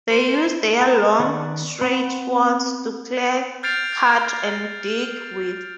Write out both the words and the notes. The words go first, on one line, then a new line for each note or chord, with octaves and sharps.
They use their long, straight swords to clear, cut, and dig with.
C5
E5 A#5
D#3 B3 B4 D5 C#6
C4 F#5 B5 C6
F6 G6 A6 C7 D7 F7